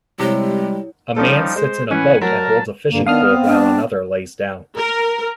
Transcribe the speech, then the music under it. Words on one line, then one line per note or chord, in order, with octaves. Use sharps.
A man sits in a boat and holds a fishing pole while another lays down.
C3 G3 G#3 E4 C#5
F3 G3 C#4 D#4 A4
G#3 C5
E3 C#4 B4 F#5 G#5
F#3 A#4 A5
G2 D3 A#3
D#3 B3 D4 F5 D#6 F6
C4
D4
A#4